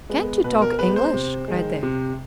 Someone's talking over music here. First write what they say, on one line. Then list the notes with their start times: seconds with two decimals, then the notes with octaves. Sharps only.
"Can't you talk English?" cried Dick.
0.10 G#3 B3
0.44 B2 B4
0.62 A#4
0.79 G#3 B3 B4
0.96 C5
1.13 C3
1.48 D#3 G#3
1.83 C3